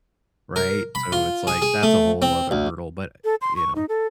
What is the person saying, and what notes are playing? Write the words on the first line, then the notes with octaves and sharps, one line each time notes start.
right, so, it's like that's a whole other hurdle, but you know?
A#4
B5
F4
G#4
G#4
A3
C4
D2
A4
C6
C#6
D#4
A4